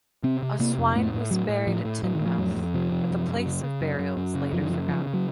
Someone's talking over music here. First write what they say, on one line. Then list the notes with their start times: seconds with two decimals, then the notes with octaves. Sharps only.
Oswine was buried at Tynemouth, but the place of burial was later forgotten.
0.23 C3 C4
0.42 C3
0.60 C3 A#3
0.78 F2
0.95 A2 A3
1.13 A2
1.31 A2 F#3
1.49 A2
1.67 A2 F3
1.85 A2
2.03 A2 F#3
2.15 D#3
2.20 A2
2.26 F3
2.38 F2 F#3
2.56 F2
2.74 C3 F3
2.92 C3
3.11 F#2
3.28 F#2
3.46 C#3
3.64 C#3
3.81 F#2
3.99 F#2
4.17 F#2
4.35 C#3
4.53 F#2 F3
4.61 D#3
4.70 C#3 F3
4.88 C#3 F3
5.07 C#3
5.14 F#3